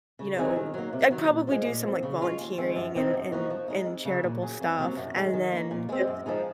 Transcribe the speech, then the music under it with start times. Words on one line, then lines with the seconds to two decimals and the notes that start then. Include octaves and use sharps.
you know I'd probably do some, like, volunteering and and and charitable stuff and then just
0.19 C#3
0.37 F#3 C4 D#4 G#4
0.56 D#3
0.74 F#3 A#3
0.93 C3
1.11 D#3 F#3
1.29 A#2
1.47 F3 G#3
1.66 A#2
1.84 F3 C4
2.03 C#3
2.21 G#3 C#4 F4
2.40 D#2
2.57 D#3 G#3 C4
2.76 F#2
2.95 F3 C4 D#4
3.14 F#2
3.32 F3 A#3 D#4 F#4
3.50 F3
3.68 G#3 D#4
3.86 F2
4.05 C#3 F#3
4.23 A#2
4.42 F#3 C#4 G#4
4.60 F2
4.78 C3 F#3 A#3 C#4
4.96 F#2
5.15 D#3 G#3
5.33 D#3
5.52 A#3 C#4
5.71 A#2
5.89 G#3 C4
6.07 F#2
6.26 F3 G#3 D#4